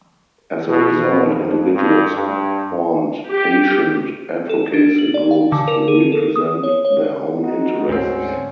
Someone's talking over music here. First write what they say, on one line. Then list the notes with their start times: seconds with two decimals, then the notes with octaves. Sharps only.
As a result, individuals have formed patient advocacy groups to represent their own interests.
0.69 B2
1.29 F2
1.75 G2
2.14 G2
3.30 G4
4.49 A4
4.74 D4
4.98 F#7
5.14 D5
5.31 F5
5.52 D3
5.68 A#4
5.88 G#4
6.12 A4
6.36 D#6
6.63 C#5
6.85 C#5
7.43 D#4 F#4
7.89 D2 G#2 C4 C#4